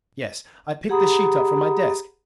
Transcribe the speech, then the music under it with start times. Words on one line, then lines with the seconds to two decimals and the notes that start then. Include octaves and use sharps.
"Yes." I picked the sheet up from my desk.
0.89 G4 G#4 F#5 A#5 B5 D#6